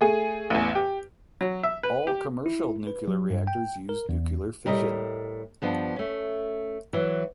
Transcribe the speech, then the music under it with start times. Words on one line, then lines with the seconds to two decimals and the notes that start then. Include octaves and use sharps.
All commercial nuclear reactors use nuclear fission.
0.01 A3 G#4
0.50 A1 E2
0.75 G4
1.41 F#3
1.63 E5
1.83 B4
2.07 G4
2.46 E4
2.87 B4
3.08 F#3
3.30 G2
3.47 G5
3.89 A#4
4.09 E2
4.66 A2 G3 A#4 D#5
5.62 G2 F3 B3 D4
5.96 A3 C#4
6.93 E3 F#3